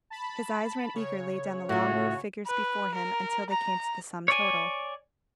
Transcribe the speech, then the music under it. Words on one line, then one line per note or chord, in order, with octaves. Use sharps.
His eyes ran eagerly down the long row of figures before him until they came to the sum total.
A5 B5
C#3 C#5
A2 F4 F#4
B4
A#4
A#5
C#5 D5 G#5